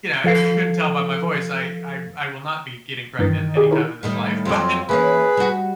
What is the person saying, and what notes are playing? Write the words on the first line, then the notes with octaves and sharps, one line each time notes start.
you know, if you couldn't tell by my voice, I I I will not be getting pregnant anytime in this life, but
F3 A4 F5 C7
G2 D#3 E3 A6
G4 G#4 D5
E4 A#4 C#5
A2 D#3 G3
F2 F#3 C4 F4
E3 A#3 C#4 G#4 B4 B5
G3 F#4